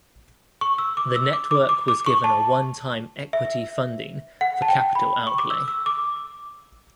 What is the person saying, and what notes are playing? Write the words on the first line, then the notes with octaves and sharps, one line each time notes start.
The Network was given a one-time equity funding for capital outlay.
C#6
E6
D6
E6
D6
D6
D6
D6
C#6
A5
E5
F#5
A5
G5
B5
C#6
D6
E6
E6
D6